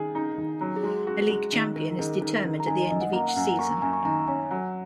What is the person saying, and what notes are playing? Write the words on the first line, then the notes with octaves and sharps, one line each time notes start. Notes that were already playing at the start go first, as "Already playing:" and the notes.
A league champion is determined at the end of each season.
Already playing: D#3 G#4
D#4
D#3
F#3
G#4
G#3 F#4
F#4 G#4
G#3
D#3
D#3 A#4
A#4
D#3 G#4
D#3 A#4
D#3 A#4
A#5
D#3 G#5
D#5
F#2 D#5
F#5
A#3 A#5
F#5
F#2 G#5
A#5
A#3 C#6
A#5
F#2 G#5
C#6
D#3 A#5
C#4 G#5
F#3 F#5